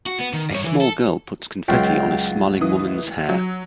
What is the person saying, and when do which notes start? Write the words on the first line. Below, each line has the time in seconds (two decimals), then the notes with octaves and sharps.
A small girl puts confetti on a smiling woman 's hair.
0.06 F#4
0.19 B3
0.33 D#3
0.51 G2 C#5
0.65 E3
0.81 A4
1.68 C#2 F#3 F4 G5
2.61 E3 D#6
3.29 F#3